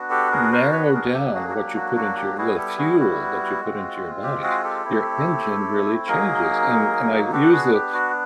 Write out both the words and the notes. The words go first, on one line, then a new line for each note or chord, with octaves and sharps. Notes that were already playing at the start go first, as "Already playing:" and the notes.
narrow down what you put into your the fuel that you put into your body, your engine really changes, and and I use the
Already playing: B3 D4 F#4
G4 A4
G#4 A#4
A#4 C5
B4 C#5
G#4 A#4
F#3 A#3 D4 G4 A4
F#4 G#4
F#4
G4
F#4
F#4
G4
G3 B3 E4 F#4 G#4
G4 A4
F#4 G#4
F#4
G#3 C4 F4
G4
F#4 G#4
G4 A4
A3 C4 E4
F#3 A#3 D#4 G#4 A#4
B3 D4 F#4 G4 A4
F#4 G#4
G4
F#4